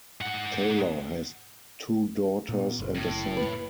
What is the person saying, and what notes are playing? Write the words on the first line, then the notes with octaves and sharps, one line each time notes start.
Taylor has two daughters and a son.
G#2 F#5
A#2 B3
F#1
A2
B4